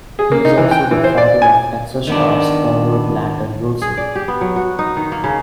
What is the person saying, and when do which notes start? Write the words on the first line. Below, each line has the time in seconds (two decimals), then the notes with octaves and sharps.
He is also the father of Texas Stars forward Landon Wilson.
0.19 G#4
0.32 A#3
0.45 D#4
0.58 E3
0.71 G5
0.91 E3
1.04 C5
1.18 D5
1.42 G#5
2.07 D#3 B3 D4
3.82 G#4
3.97 D5
4.15 G4
4.28 B3
4.41 F#3
4.56 F#4
4.79 D#4
4.97 D#3
5.12 A#3
5.24 C#3